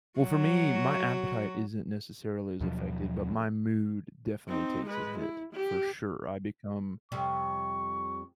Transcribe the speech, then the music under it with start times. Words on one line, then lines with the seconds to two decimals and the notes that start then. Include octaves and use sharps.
Well, for me, my appetite isn't necessarily as affected, but my mood definitely takes a hit, for sure. I become
0.20 F#3 F#4
2.61 D#2 B2 F3 F#3
4.48 C4 D#4
4.86 G#3 B4
5.18 E4
5.53 G4
7.12 F2 C3 G3 C#6